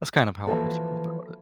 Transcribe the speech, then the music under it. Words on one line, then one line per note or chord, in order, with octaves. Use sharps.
that's kind of how I I feel about it.
E3 F3 A#3 F#4 A4